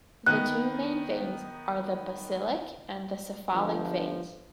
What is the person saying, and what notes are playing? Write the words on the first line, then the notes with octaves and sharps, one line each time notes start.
The two main veins are the basilic and the cephalic veins.
D#3 B3 D#4 F#6
G1 F3